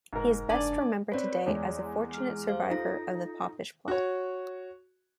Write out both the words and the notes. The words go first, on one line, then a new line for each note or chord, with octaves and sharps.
He is best remembered today as a fortunate survivor of the Popish Plot.
F1 G#2 A#4
F#1 D4 D5 G#5
C4 B4 C#5 D5
E2 G#3
G#4 F6
G4 C5 F5
D#4 F4 A4 A#6
F#4 C#5